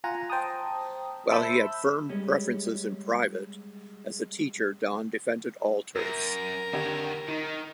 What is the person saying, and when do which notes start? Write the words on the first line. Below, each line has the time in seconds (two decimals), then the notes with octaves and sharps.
While he had firm preferences in private, as a teacher Don defended all turfs.
0.04 F4 F#5 G#5 A#5
0.30 C5 G5 A5 A#5 D#6
1.30 C5 E5 A5 B5 E6 G6
2.09 G3 G#3 C#4
5.96 F#2 A#4
6.73 D3 D#3 G4 C#5 G#6
7.28 D#3 D#4